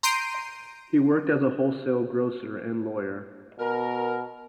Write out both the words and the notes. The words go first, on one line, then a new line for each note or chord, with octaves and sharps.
He worked as a wholesale grocer and lawyer.
A#5 C6 G6 C7 D7 D#7
B2 A#4